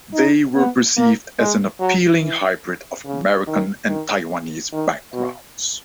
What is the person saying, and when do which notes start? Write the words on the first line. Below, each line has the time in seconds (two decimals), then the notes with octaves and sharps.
They were perceived as an appealing hybrid of American and Taiwanese backgrounds.
0.14 D#4
0.55 B3
0.97 A#3
1.39 G#3
1.80 F#3
2.22 E3
3.05 C#3
3.47 D#3
3.89 D#3
4.72 D#3
5.13 B2